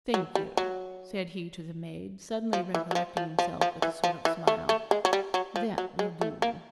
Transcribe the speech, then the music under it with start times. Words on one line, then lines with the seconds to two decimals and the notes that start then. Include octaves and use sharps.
'Thank you,' said he to the maid, suddenly recollecting himself, with a sort of smile; 'that will do.
0.14 F#3
0.35 G3
0.57 F#3
2.53 F3
2.74 E3
2.91 F#3
2.95 F3
3.17 F3
3.39 F3
3.61 F3
3.82 E3
4.04 F3
4.25 E3
4.47 A3
4.69 A3
4.91 G#3
5.05 F#3
5.13 G3
5.34 F#3
5.56 F3
5.78 F#3
5.99 G#3
6.21 A3
6.42 A#3